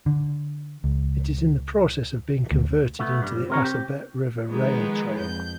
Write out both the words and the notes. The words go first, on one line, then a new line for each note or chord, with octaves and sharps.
It is in the process of being converted into the Assabet River Rail Trail.
D3
C#2
D2
A3 B3
G2 G3
F3
C3 C4 A#4 C#5
G4
D#3 F3 G#3 B3 D#4
F2 G6